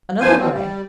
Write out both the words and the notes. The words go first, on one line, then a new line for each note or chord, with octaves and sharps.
Another Way.
F#2 F3 B3 C5 G#5
E2 B2 C4
G3